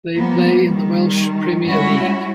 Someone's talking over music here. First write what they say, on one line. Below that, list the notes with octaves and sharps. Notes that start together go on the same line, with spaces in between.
They play in the Welsh Premier League.
F3 G3 A#3 B3
D#3 G3
G3 G#3 C#4 E4 F#4